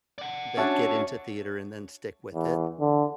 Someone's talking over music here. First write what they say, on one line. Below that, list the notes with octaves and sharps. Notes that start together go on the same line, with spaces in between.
that get into theater and then stick with it
D5 F#5
C#4 D4 F#4 C#5 E5 A5
E2
D3